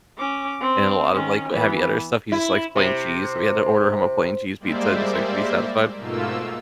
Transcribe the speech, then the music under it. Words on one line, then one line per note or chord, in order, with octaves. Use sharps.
and a lot of like heavy other stuff, he just likes plain cheese, so we had to order him a plain cheese pizza just so he could be satisfied.
C#4 D6
C4
D#3 C#4
E3 B3
E4
C3
G3 G#3 A#3 C5 D5 E5
G#2 B2 A3 A#3 F4 E6